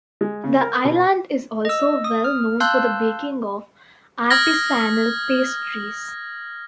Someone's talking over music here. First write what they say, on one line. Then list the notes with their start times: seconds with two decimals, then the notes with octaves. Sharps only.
The island is also well known for the baking of artisanal pastries.
0.21 G#3
0.44 C#3
0.61 A#4
0.84 B2
1.65 D#5 E6
2.04 D#6
2.24 F6
2.60 F5 A5 C6 E6 F#6 G6
4.30 D#6 F6 G#6 A#6 G7